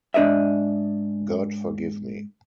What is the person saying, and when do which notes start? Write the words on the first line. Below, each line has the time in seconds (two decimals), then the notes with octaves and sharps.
God forgive me.
0.14 G#2 D4 A#4 D#5 E5